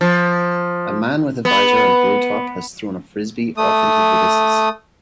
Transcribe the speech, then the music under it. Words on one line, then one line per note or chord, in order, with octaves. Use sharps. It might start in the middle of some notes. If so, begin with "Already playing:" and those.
A man with a visor and blue top has thrown a Frisbee off into the distance.
F3
B3
A3 D#6